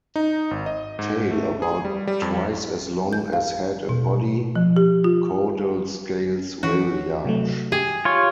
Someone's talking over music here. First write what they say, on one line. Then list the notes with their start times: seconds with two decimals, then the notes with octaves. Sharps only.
Tail about twice as long as head and body; caudal scales very large.
0.16 D#4
0.51 G#1
0.66 D#5
0.99 G#2
1.31 A3
1.62 G#4
1.85 G3
2.07 G3
2.22 F2
3.13 G6
3.33 F5
3.89 B2
4.56 F3
4.77 G4
5.04 F4
6.63 E3 C#4 F#4
7.25 C3 F#3 A3
7.72 G4 G#4
8.05 F4 C#5